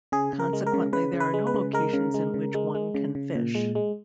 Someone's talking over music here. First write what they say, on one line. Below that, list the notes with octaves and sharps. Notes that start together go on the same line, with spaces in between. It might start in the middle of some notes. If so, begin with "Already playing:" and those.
Consequently, there are no locations in which one can fish.
C#3 G#4
C#3
A#4
G#3
A#4
C#3
C#3 B4
C#3
B4
G#3
B4
C#3
G#3 A#4
C#3
G#3
C#3
G#3
G#3
C#3
C#3
A#2
G#3
G#3